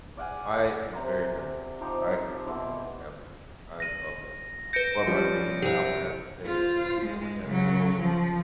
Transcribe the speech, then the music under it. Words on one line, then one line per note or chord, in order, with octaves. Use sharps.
I am very diverse, I cook a little bit of everything. I love everything I but my main, I would have to say, is Oriental and American.
D5 F5 F#5 G#5
C3 A#5 C6
F3 D#4 G4 C5
B2 E3 E5 C6
A#6 D#7
B4 G6 A#6 C#7 D7
F3 G3 C#4
C2 E4 G4 C5
F4 C5
G#3
C#3 F#3
F3